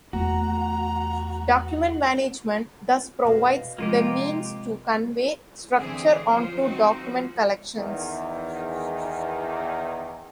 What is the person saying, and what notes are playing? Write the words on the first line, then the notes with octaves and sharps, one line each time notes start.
Document management thus provides the means to convey structure onto document collections.
E2 A3 F#4 A#5
B2 C5 F5
C3 F3 G#3 A#3 F4 G4 A#4
D3 E3 C4 G#4
F3 F#3 F4 C5
C4 D#4 F#4
F3 F#4
E2 D#3